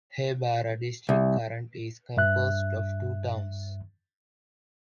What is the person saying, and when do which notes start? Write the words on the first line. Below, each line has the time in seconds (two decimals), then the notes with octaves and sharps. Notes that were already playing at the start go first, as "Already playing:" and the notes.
Haibara District current is composed of two towns.
1.09 C2
2.17 G2 E5 F#6